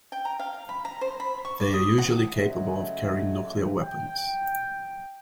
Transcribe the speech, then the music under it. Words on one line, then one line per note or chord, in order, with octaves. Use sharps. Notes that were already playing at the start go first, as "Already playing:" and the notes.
They are usually capable of carrying nuclear weapons.
G5
A#5
F5
B5
A#5
C5
B5
C#6
D5
D#6
F#5
C#3 F#3 G#3 A3
G5